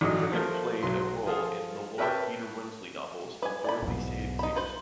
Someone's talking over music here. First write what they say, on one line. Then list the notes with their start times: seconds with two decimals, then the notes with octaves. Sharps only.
Cricket played a role in the Lord Peter Wimsey novels of Dorothy Sayers.
0.01 A1 F#3 D4 D#5 D#6
0.32 F3 A3 A#4
0.83 B1 F#3 C6
1.26 F3 F4 G#4 A4
1.98 A#4 B4 C#5 E5 G5 A5
3.43 B4 G#5
3.64 D5 G#5 B5
3.82 B1 E2 G#2
4.39 D#4 B5
4.55 F4 B4 C5